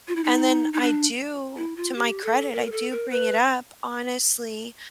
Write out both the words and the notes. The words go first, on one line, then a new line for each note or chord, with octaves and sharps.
and then I do to my credit, I do bring it up honestly,
F4
E4
D#4
D#4
D4
E4
F4
G4
A4
A#4
A4
A#4
B4